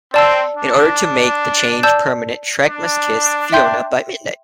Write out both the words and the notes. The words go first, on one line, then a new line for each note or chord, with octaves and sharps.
In order "to make the change permanent", Shrek must kiss Fiona "by midnight".
C4 D5 A5 E6
D4
D5 A5 E6 G6
D4
E5 G5 C6 G6